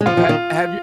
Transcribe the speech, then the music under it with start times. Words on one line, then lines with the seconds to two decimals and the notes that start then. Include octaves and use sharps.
ha have you
0.01 G#3
0.06 F3 F4
0.17 F3
0.24 F4
0.29 D#3